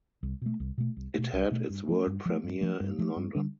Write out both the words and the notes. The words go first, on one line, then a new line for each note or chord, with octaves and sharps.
It had its world premiere in London.
C2
B2 A3
C2
B2 A3
C2
B2 A3
C2
B2 A3
G2
F3 A3
G2
F3 A3
G2
F3 A3
G2
F3 A3
G2
D3 G3 D4